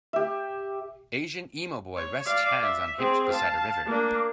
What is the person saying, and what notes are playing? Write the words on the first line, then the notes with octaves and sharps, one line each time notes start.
Asian emo boy rests hands on hips beside a river.
G4 E5
C#5
D5 F5
E5
C4 G#4
F5 A5
A#3 D4